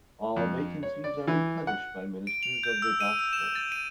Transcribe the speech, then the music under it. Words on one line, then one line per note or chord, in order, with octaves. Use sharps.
All vacancies are replenished by ministers of the Gospel.
F2
C#5
D5
E3
F#5
D7
F7
G6
E6
D#7
E6
E7
A6
D#7